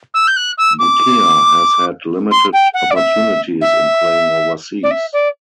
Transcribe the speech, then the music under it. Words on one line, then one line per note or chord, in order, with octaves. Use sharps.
Bhutia has had limited opportunities in playing overseas.
E6
G6
F#6
E6
D6
C6
G5
F#5
D5
E5
E5
D5
E5
D5